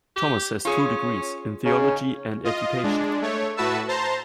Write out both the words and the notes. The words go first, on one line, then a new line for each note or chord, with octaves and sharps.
Thomas has two degrees, in theology and education.
G4
C#4 F4 G#4 C#5
C#3 C#4 D#4
F4 D#5
G#3 D4
A3 C#5
A2 F#4 B4 E5 A5 E6
C5 A5 A#5 C6